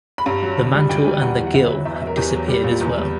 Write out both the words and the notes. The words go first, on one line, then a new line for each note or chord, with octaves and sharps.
The mantle and the gill have disappeared as well.
B5
G2 A#5
F#3
D2
G3
D2 G5
G3
E2 F#5
E3
F#5
D2 E5
F#3
E2 E5
E5
F#3
A#4
E2 G4
F#3
G3 G4
A#2
E2
G3